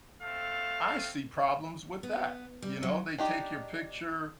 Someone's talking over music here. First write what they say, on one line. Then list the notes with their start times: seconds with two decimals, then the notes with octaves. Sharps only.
I see problems with that, you know? They take your picture,
0.22 A3 C4 A4 F5
2.03 B3
2.62 G3
2.83 F#3
3.18 D4 D#4 G4